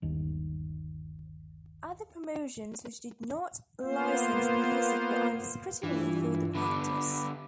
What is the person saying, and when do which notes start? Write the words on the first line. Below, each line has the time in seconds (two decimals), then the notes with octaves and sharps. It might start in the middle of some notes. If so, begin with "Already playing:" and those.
Other promotions which did not license music were under scrutiny for the practice.
0.02 G1 D#2
3.82 A#3 B3 F4 C5
5.83 G2 E3 D4 F4
6.55 D3 B3 B5 D6